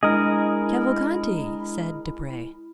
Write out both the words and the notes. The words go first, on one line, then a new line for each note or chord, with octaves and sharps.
"Cavalcanti!" said Debray.
G#3 D4 E4 G#4 A#4 D#5